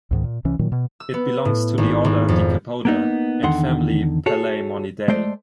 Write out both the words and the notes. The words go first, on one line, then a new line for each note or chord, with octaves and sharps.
It belongs to the order Decapoda and family Palaemonidae.
C#2 G#2 D#3
A#2
C2 C3 E3 C#4
A#2 D#3 F#3
B2
E6
B3
A2
G#1
G#1
F2
A#3 B3 D#4
E2 D3 D#3 F#5 C6
F#4 G#4 A4 C#5
G#3 A3 C5 D5